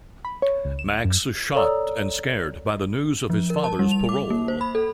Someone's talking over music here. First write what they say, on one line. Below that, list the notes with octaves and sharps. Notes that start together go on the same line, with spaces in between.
Max is shocked and scared by the news of his father's parole.
B5
C#5
C#2
E7
F#2
A4 C#5 D5 A#5 D#6 E6
F3
A#4
A5
G3
F7
D6
A#3
C5
B5
A4